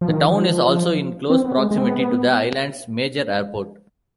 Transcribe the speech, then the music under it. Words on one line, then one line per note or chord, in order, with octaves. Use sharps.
The town is also in close proximity to the Island's major airport.
F3
D#3
F3
C4
B3
G#3
G#3
C4
B3
B3